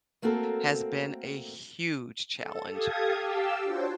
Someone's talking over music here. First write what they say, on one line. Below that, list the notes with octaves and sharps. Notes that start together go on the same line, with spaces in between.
has been a huge challenge.
A3 A#3 C4 F#4 A4 A#4
A4
G4 A4 F5 D#6 G#6
G4 F5 G5 A5 E6
D4 F4 F#4 C5 C#5